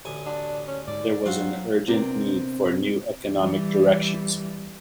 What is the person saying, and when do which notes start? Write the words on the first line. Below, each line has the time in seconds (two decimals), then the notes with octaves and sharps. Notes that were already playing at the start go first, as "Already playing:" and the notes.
There was an urgent need for new economic directions.
0.05 A1 D2 G#5
0.26 D4
0.68 C#4
0.88 G#2 D5
1.26 F#3 C4 F4 F#4 C6
1.87 C3 B3 C4 D4 A#4
3.28 E3 G3